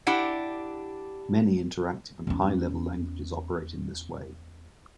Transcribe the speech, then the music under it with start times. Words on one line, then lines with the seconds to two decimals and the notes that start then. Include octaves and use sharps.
Many interactive and high-level languages operate in this way.
0.07 D4 E4 G4 F#5
2.27 E2 C#4